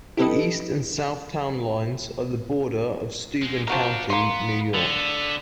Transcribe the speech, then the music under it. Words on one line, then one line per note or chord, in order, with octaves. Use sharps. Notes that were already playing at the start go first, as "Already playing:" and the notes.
The east and south town lines are the border of Steuben County, New York.
E4 G4 A4 B4 D#5
G#2 G#3
F3 D4 F#4 G4 A#4
A#3 B3 C6
D3 B3